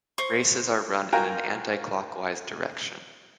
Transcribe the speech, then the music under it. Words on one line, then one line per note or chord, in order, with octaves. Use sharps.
Races are run in an anti-clockwise direction.
C5 C#6
F4 F#4 A#4 G5 G#5 A#5